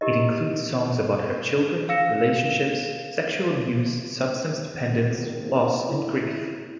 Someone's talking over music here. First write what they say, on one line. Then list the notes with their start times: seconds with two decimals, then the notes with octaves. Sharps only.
It includes songs about her children, relationships, sexual abuse, substance dependence, loss and grief.
0.01 E4 G4 A#4 D#5
1.89 F5 E6 A#6 C#7 E7
4.84 G#1
5.89 E4